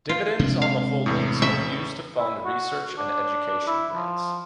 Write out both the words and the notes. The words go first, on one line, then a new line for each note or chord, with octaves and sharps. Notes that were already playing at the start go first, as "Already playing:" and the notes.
Dividends on the holdings are used to fund research and education grants.
F4
C3 G#3 D4
F5
E2 A2
C#3 D#5 E5
E4
F#4
D4
E4
F3